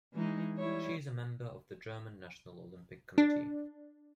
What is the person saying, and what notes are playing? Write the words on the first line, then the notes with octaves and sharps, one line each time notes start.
She is a member of the German National Olympic Committee.
E3 G#3 D#4
G3 E4 C#5
D4